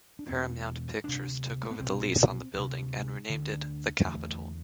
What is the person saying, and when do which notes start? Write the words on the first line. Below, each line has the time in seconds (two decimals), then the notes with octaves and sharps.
Paramount Pictures took over the lease on the building and renamed it the Capitol.
0.19 D4
0.29 E2 B2 C4
1.04 D2 C3 D4
1.63 A3
1.71 B3
1.80 C2 B2 C4
2.54 D2 C3
3.29 D2 D3
4.05 E2 D3 A3